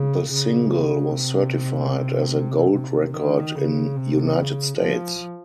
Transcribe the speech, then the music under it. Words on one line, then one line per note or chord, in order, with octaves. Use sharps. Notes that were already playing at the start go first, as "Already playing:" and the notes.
The single was certified as a Gold Record in United States.
Already playing: C#3
C#3
C3
C3
D#3
C#3
C3
C#3
F3